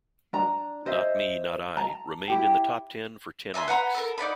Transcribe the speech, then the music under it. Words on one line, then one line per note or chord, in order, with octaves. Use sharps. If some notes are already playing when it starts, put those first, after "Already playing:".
"Not Me, Not I" remained in the top ten for ten weeks.
D4 A#5
C#4 C5 D#5 E5
A5 A#5
E4 G4 G5
E5 G#5 A5 C6
B4 F#5 A#5 B5
A4 A#4
D#4 D5 F#5 B5